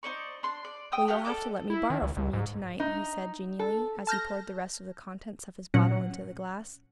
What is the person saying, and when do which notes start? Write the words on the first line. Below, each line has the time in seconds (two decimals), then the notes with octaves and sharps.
"Well, you'll have to let me borrow from you to-night," he said genially, as he poured the rest of the contents of his bottle into the glass.
0.03 D#4 C5 D5 C#6
0.43 D4 C6
0.65 D5
0.92 G5 D#6 E6
1.07 A3 D4 G4 F5
1.25 A4 D5 E5 D6
1.70 E4
1.90 D#3
2.02 C#2
2.17 C#2
2.33 G#2
2.80 D#4
3.59 A4
4.07 A5 F6 G6 A#6
5.74 A#2 F#3 C#4 F#5